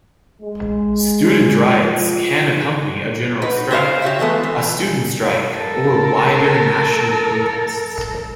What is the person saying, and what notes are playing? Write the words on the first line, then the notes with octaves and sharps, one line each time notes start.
Student riots can accompany a general strike, a student strike, or wider national protests.
G#3
F3
D#4 F#4 B4
C#3 F#4 C5 D#5 F5
F#4 G4 C#5 E5
E3 G#3 A3 B3
E3
A4 A#4